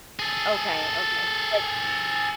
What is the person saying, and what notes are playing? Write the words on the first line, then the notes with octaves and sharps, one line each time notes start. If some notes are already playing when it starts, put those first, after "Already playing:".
okay, okay. Like
G#4 A4